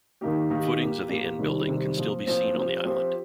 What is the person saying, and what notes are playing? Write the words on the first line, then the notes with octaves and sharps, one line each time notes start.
Footings of the inn building can still be seen on the island.
D#3 A#3 D#4 G4
D#3 A#3 D#4 G4
A#2 A#3 G4
A#2 A#3 G4
C3 D#3 G3
C3 D#3 G3
A#2 F3 C4
A#2 F3 C4
F3 C4 G4
F3 C4 G4